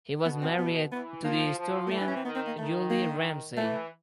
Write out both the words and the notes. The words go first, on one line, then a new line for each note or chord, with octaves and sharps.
He was married to the historian Jully Ramsay.
B2 B3
C4
B3
E3 B3
F3 A#3
F3
A#3
E3 A3
D4
C#4
C4
D#3 B3
C4
A#3
D#3 A3
A#3
E3 A3